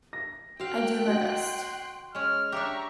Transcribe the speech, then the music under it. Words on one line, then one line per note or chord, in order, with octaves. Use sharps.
I do my best.
A#6
C4 F#4 F5 G5 F#6
F#4 D#5 C6
G#3 C#4 F6
D4 G4 E5 A#5 C#6